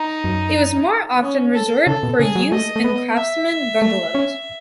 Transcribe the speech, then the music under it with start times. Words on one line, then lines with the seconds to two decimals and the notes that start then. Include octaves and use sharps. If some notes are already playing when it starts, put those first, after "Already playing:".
It was more often reserved for use in Craftsman Bungalows.
Already playing: D#4
0.24 F#2
1.21 C#4
1.54 A4
1.87 C#3 A4
2.03 B2
2.19 C#3 G#4
2.36 F#3
2.52 A3 D#5
2.76 A3
2.84 B3
3.17 E5
3.82 A3
4.15 C#4